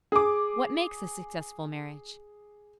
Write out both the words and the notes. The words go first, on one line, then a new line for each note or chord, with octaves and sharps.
What makes a successful marriage?
G#4 D6